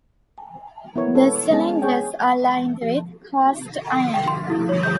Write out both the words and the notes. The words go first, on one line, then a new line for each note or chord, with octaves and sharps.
The cylinders are lined with cast iron.
B3 E4 A#4 C#5
A4 B4 C#5
G#3 B3 C#4 D4 G#4 A5
G#4 C#5 G5
G5
C6
E4
C#5
G6